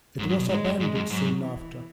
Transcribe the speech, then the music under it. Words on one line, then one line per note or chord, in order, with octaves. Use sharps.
It was abandoned soon after.
G#2 F#3
G#2
B2
G#2 G#3
F#2
G#2 G#3
F#2
G#2 F#3
E3